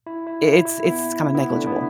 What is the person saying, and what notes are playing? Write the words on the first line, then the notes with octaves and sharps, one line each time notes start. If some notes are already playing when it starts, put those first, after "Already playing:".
i it's it's kinda negligible.
E4
E4
E4
E4
B3 E4
B3 E4
A3 D4
B3 E4